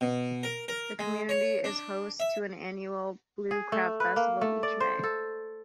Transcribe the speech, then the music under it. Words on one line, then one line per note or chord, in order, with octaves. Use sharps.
The community is host to an annual Blue Crab Festival each May.
B2
A#4
A#4
G#3
C#5
D4
E5
G#4
A3
B4
A#3
A3
D5
C5
A4